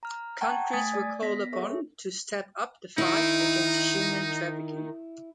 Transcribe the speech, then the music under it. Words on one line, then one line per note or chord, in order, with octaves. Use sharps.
Countries were called upon to step up the fight against human trafficking.
A#5 F6
F#5 G5 A5 A#5 C#6 G#6
A3 G#5 D#6 G#6 A6 B6
D5
B3 A#6 B6
G#4 A4 C#5 E5 C#6
D#3 D#4 E4